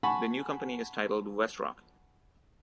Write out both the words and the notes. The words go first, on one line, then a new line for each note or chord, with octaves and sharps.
The new company is titled WestRock.
F#5 G#5 A5 B5 C#6